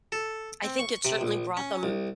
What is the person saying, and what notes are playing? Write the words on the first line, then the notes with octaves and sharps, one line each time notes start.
I think it certainly brought them
A4
C4
C#6
C3
A#1
C#4
C2